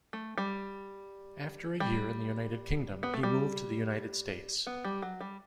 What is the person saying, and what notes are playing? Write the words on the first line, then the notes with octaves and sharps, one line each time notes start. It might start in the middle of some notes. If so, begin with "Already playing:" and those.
After a year in the United Kingdom, he moved to the United States.
A3
G3
G3
B3
A3
G3
B3
G3
F#3
G3